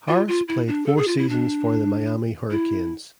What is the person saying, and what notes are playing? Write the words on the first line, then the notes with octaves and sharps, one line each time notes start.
Harris played four seasons for the Miami Hurricanes.
F4
F4
E4
D4
A4
G#4
F4
E4
D4
E4